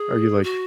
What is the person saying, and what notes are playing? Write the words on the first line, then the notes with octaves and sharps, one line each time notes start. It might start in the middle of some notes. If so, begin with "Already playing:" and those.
Are you like
Already playing: G#4
F#4